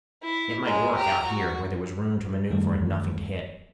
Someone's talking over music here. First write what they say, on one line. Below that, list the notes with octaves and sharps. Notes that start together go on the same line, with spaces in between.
It might work out here where there was room to maneuver and nothing to hit.
E4
G#3 A#5
G4 A#5
F#4
F#2 D#3 G3 A3